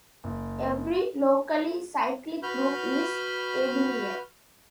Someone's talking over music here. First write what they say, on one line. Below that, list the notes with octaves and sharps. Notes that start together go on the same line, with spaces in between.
Every locally cyclic group is abelian.
F#1
F#4 B4 B5 F6 G6